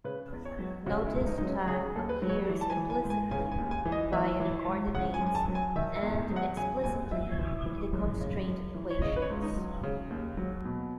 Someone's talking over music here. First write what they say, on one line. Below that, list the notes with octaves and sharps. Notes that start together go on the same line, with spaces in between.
Notice time appears implicitly via the coordinates "and" explicitly in the constraint equations.
C#3 B4
E2
C#5
F#3
C#3 F#4
E4
C#2
D#4
F#3 D#4
C#4
C#3 G#4
G#4
D#2 A4
B4
F#3
C#5
E3
A5
G#5
E3
G#5
G#2
G#5
C#3 G#5
G#5
D#2
G#5
E3
D#5
E3 E5
E3
G#2
C#3 F#5
G#5
F#2
G#5
A5
F#3
G#5
D#3 E5
E5
E2
F#3
F#5
C#3 G#5
D#2 G#5
F#3 E5
E3
E3
F#2
C#3
F#2
E3
C#5
C#3 D#5
B4
C#5
C#2
D#4
F#3
C#3
D#2
F#3
B2